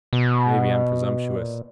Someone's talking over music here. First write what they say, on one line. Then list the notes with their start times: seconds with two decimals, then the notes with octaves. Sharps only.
Maybe I'm presumptuous.
0.13 B2
1.36 A#2